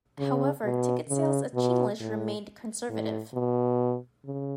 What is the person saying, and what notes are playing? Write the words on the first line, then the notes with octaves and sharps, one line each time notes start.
However, ticket sales of "Chinglish" remained conservative.
C#3
B2
C#3
B2
A2
A2
B2
C#3